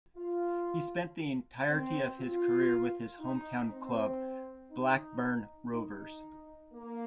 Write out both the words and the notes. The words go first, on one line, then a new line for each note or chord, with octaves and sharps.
He spent the entirety of his career with his hometown club, Blackburn Rovers.
F4
C4
F4
D#4
C4
D#4
D#4
A#3